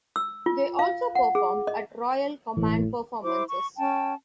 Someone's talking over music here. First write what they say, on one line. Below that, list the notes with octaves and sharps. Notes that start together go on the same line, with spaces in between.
They also performed at Royal Command Performances.
E6
F4
F5
F#5
G#4
D#5
G1 A2 E3
E4 C5 D6
C#6
C#4 G5 A5